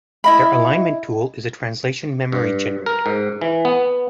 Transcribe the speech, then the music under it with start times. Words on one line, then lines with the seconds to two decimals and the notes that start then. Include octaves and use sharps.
Their Alignment Tool is a translation memory generator.
0.24 E4 D#5 B5
2.32 G2
2.86 A#4
3.06 G#2
3.41 E3
3.65 B3